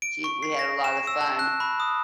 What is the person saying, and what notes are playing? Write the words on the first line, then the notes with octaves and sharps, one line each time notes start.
She we had a lotta fun.
D7
C#6
C7
A#6
E7
E6
A5
F#6
B5
D#6